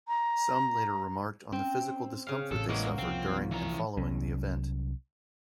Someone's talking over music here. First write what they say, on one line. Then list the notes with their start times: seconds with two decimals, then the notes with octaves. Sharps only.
Some later remarked on the physical discomfort they suffered during and following the event.
0.08 A#5
1.53 C4 C#4
2.27 C#3 F5
2.51 A1 A2 A4
2.69 E3 G#3 A#3 F#4 A#4
2.98 C2 F3 C4
3.51 E3 A#5
3.97 C2 F#3 C#4